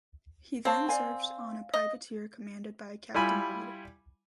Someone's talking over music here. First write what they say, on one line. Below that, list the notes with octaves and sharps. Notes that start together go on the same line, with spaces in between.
He then served on a privateer commanded by a Captain Reed.
C4 C#5 F5 A5
D5 F5 G#5
D#5
G3 E4 F4 G#5 B5